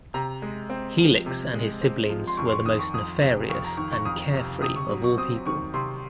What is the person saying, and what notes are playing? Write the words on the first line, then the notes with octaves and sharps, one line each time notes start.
Helix and his siblings were the most nefarious and carefree of all people.
C3 A#5
G#3
C4
F3
C3
G#3
C4
F3
C6
F2 C#6
C6
C#6
D#3 D#6
C#6
F2 D#6
C3
F2 C#6
A#5
D#3 C#6
C#6
F2 D#6
C3
C3 D#6
C#6
F#3
C#6
C4 D#6
D#3 C#6
C3 C6